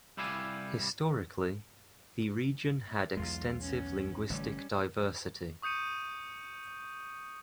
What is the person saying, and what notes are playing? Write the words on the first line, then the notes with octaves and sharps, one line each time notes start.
Historically, the region had extensive linguistic diversity.
C2 G3 E4 D5 F5 G#5
B1 E2 G#3 F4
B3 C#4
A1 D3 G3 A3 C#4
C#6 D#6 G6 C#7 D#7